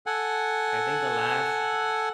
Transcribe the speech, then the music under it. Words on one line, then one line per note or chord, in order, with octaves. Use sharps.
I think the last
A4 F#5 G#5